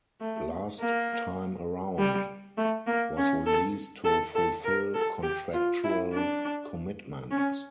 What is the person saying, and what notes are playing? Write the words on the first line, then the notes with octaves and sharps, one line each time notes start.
"Last Time Around" was released to fulfill contractual commitments.
A3
A#3
G3
A3
A#3
C#4
A4
A4
A4
A#4
A4
G4
F4
E4
D4
C#4